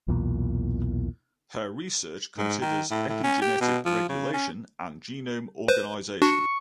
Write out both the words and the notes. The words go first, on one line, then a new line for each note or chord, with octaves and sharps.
Her research considers epigenetic regulation and genome organisation.
B1 E2 A#2
G#2
D#3
A2
A2
C#4
G4
B2
F3
C#3
C#4
B4 C5
D4 F#4 C#6